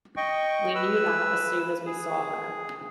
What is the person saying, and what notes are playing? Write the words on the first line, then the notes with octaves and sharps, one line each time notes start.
We knew that as soon as we saw her.
D#5 G5 C#6
B4 E6
G#4